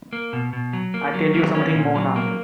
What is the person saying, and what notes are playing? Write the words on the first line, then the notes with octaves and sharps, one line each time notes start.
I tell you something more now.
A#3
B2
B2
F#3
A#3
F#3
A#3
C#4
A#2
F#3
A#3